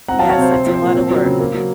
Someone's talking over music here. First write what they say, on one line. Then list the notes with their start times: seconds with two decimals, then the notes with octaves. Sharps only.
Yes, it's a lot of work.
0.08 C4 F#5 A#5
0.19 F5 A5
0.23 F#3
0.30 C#5 F5
0.38 C3 C5
0.51 C4 C5
0.67 F3
0.74 C5
0.81 A#2
0.95 C4 C5
1.11 F#3
1.25 C#3
1.40 A#3
1.54 F#3